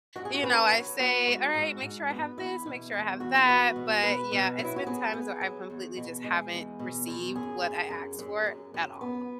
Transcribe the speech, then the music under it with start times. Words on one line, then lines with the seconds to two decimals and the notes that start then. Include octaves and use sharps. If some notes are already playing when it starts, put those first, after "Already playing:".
you know, I say, "Alright, make sure I have this, make sure I have that," but, yeah, it's been times where I completely just haven't received what I asked for at all.
0.16 F#2 F#4
0.25 G#4
0.34 F#4
0.44 C#4 B4
0.71 F#3 F#4
0.99 B3 F#4
1.27 G#2 F#4
1.54 G#2 F#4
1.82 G#2
2.10 B3
2.37 E2 E4
2.66 B2
2.93 E2
3.20 E2 F#4
3.34 E4
3.48 B3 F#4
3.76 B2
4.03 B2 B4
4.32 B2
4.59 F#3
4.65 E4
4.76 F#4
4.87 B3 G#4
5.13 B3
5.41 F#3
5.70 E2
5.97 B2
6.24 G#3
6.53 E2
6.79 B2
7.08 E2
7.35 F#2 G#4
7.63 F#2
7.90 F#2
8.19 F#2
8.46 F#2
8.74 F#2
9.01 B3